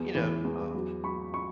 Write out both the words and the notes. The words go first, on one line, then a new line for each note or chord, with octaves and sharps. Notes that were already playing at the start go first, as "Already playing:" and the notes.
you know, um
Already playing: E2 B3
E3
E2
F#3
F#3 B5 C#6
B5 C#6